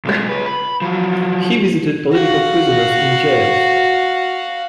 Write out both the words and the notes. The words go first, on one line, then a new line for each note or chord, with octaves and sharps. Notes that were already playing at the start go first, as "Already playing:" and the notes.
He visited political prisoners in jails.
B1 G#3
C#2 B4
B5
F3 F#3
F#4 F5